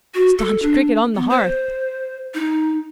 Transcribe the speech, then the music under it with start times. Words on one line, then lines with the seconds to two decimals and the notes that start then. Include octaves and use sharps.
Staunch Cricket on the Hearth!
0.14 F#4
0.38 A4
0.62 D4
1.15 B3
1.29 C5
2.34 D#4